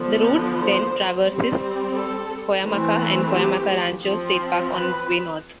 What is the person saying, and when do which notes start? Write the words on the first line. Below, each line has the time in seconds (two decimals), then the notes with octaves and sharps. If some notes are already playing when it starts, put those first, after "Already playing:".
The route then traverses Cuyamaca and Cuyamaca Rancho State Park on its way north.
Already playing: D3 F3 B3
0.56 C5
1.24 G3 C4
1.94 A4
2.64 E3 A3 C4
3.33 G4
4.02 F3 C4
4.70 B4